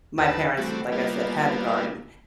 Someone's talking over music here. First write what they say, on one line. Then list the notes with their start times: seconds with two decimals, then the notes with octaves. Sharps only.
my parents, like I said, had the garden.
0.18 D#2 B4 A5 E6
0.57 E3 G3 A3 C4 F#4
0.92 G3 A#3 B3 E4 F4